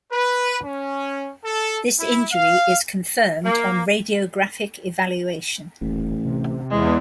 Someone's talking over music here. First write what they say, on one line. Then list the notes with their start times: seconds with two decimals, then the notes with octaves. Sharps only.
This injury is confirmed on radiographic evaluation.
0.13 B4
0.65 C#4
1.45 A4
2.00 E4
2.33 F5
3.44 A#3
5.81 D#1 A1
6.25 C3
6.70 E2 G#3